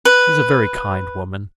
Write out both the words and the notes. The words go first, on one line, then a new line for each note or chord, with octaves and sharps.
She is a very kind woman.
B4